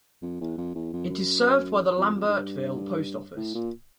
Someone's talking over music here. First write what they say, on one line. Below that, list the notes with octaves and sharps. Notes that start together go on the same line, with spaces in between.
It is served by the Lambertville Post Office.
F2
E2
F2
E2
F2
F#2
F2
F2
G#2
G2
A2
A#2